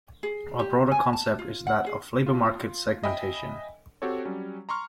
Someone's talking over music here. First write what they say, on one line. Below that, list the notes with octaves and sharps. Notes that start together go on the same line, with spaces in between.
A broader concept is that of labor market segmentation.
G#4
G4
G#5
A5
F4
F#5
G#4
F4
D#5 E5 G5 G#5 B5
C4 F#4 G4 A4 C#5
F#3 G3 C#4
A#5 C6 C#6 F6